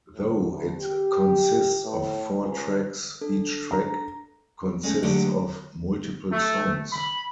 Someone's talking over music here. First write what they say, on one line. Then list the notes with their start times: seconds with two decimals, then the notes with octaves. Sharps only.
Though it consists of four tracks, each track consists of multiple songs.
0.15 A2
0.49 D2
0.79 G4
1.85 A2
2.38 C#2
3.21 D4 A4
3.71 A#5
4.83 G#3 A3 C#4
5.03 D3 F#3 G#3 A3 G4
6.32 A3
6.93 B5